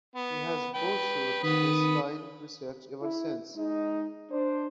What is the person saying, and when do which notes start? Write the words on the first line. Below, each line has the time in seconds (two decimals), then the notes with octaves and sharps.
He has pursued this line of research ever since.
0.16 B3
0.75 B4 G5
1.44 D#3 B4 B5 D#6
3.02 E4
3.55 G#3 D#4
4.31 D4 C5